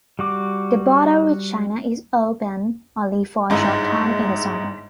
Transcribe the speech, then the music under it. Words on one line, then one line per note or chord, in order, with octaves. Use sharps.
The border with China is open only for a short time in the summer.
G3 F#4 D6
G1 G#2 D#4 E4